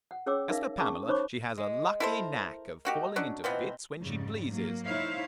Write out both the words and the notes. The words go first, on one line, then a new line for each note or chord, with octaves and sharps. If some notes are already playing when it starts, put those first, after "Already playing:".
As for Pamela, she has a lucky knack of falling into fits, when she pleases.
F#5
C#4 G#4 C#5 G5 D6 E6
D#4 A#4 E5 F5
C#4 G#4 A5 C#6 D6
D#4 C5 C#5 B5 C#6 D6
G#3
E4 A4 A#4 C5
A3 A#3 D#4 F#4 G4
F#3 C#4 D4
B2 E3 F3 B3 C4
F2 G#2 C#3 G3
F#3 A#3
D#4 E4 C5 C#5 E5 F5